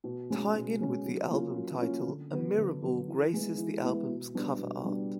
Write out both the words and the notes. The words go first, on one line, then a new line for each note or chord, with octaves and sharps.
Tying in with the album title, a mirror ball graces the album's cover art.
B2
G#3 C#4
B2
G#3 C#4
F#3
A#3 C#4 F4
F#3
A#3 C#4 F4
D3
F#3 B3
D3
F#3 B3
E3
G#3 B3 E4
E3
G#3 B3 E4
B2
G3 B3 D4
B2
G3 B3 D4